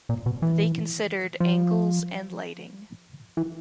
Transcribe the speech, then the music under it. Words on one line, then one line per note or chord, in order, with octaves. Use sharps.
They considered angles and lighting.
A#2
B2
E3
F3
E3